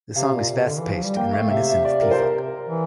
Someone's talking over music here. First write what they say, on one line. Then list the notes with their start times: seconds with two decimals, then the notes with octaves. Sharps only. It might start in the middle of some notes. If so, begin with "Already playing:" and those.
The song is fast-paced and reminiscent of P-Funk.
0.15 C3 F5
0.32 A#2
0.49 C3
0.66 D3
0.79 E3
0.91 F3
1.04 G3
1.16 A#3 G5
1.33 A3 F5
1.50 C3 E5
1.67 E5
1.85 D5
2.02 A#4
2.11 C5
2.17 A#4
2.69 E3